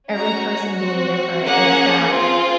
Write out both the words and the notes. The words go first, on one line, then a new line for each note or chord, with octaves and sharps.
every person being different is that
C#4 F#4 A#5
C4 F#4
A#3 C#4 G#4 F#5
C4 F4 G#4